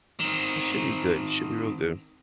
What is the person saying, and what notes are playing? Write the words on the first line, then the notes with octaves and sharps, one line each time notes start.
it should be good. It should be real good.
D#3 C4